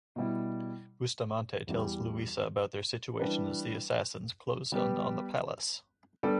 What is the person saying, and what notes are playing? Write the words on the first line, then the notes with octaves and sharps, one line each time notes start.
Bustamante tells Luisa about their situation as the assassins close in on the palace.
B2 G3 E4
E2 E3 G3 E4 G4
E3 G3 D4 B4
G3 B3 G4 B4
G3 B3 D4 A4